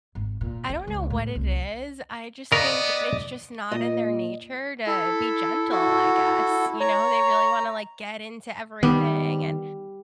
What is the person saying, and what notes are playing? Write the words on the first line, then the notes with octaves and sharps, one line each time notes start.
I don't know what it is, I just think it's just not in their nature to be gentle, I guess, you know? They really wanna, like, get into everything and
G#1
A#2
C#4
C#2
A2
C2
C#3 B3 A#4 D5 D#5
A#2 D#5
E4 A4
F#4 A4
C#5 A#5
D#3 G3 B3